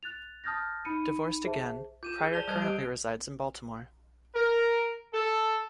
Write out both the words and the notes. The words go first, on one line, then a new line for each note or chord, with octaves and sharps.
Divorced again, Pryor currently resides in Baltimore.
F#6 A6 F7
A5 D#6 F6 G6 A6 A#6
D#4 B5 C#7 D#7
G#4 C5 E5 A5
F4 G6 D#7 E7
G#4
C5 D5 A5 F7 G7
G3 C5 A5 D#6 F#6 G#6
G4 D#5 D7
A#4
A4